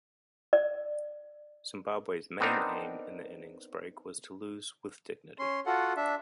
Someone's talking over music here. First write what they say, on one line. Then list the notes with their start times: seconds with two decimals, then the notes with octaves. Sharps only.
Zimbabwe's main aim in the innings break was to lose with dignity.
0.53 D5
2.40 B3 C4 D4 D#4 A#4
5.39 C#4 C6
5.66 F4 F#4 A4 F#5
5.96 D4 E5